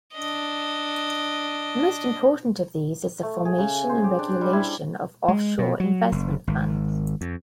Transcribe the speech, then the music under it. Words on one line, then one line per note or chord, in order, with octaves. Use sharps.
The most important of these is the formation and regulation of offshore investment funds.
D4 D#5
A3
G#4
C#3
C5
G4
D4
G3
E4
G#3
B2
F#3
F#1
G#1
F2